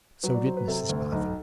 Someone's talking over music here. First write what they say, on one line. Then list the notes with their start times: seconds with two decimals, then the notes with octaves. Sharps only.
So did Mrs Boffin.
0.23 F#3 B4
0.34 D5
0.46 F#3 C5
0.57 B4
0.67 C3 A4
0.89 D2
1.12 B1